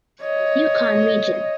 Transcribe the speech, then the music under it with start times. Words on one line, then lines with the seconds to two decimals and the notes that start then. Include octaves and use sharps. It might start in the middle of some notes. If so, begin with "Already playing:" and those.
Yukon region.
0.22 C#5 D#5